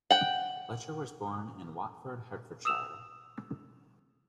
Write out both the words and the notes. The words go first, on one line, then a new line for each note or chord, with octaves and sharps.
Fletcher was born in Watford, Hertfordshire.
F#5 G5
D#6 E6 E7 F7